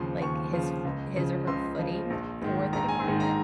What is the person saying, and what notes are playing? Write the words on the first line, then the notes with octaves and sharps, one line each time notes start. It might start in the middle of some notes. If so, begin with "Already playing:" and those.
like, his f his or her footing for the department?
Already playing: D#2 C#3 F3 C6
D#2 C#6
C#3 F3
C#2
C#3 F3
C#2 C6
C#3 F3
A#1
G#2 D#3
A#1 A#5
G#5
G#2 D#3
A#5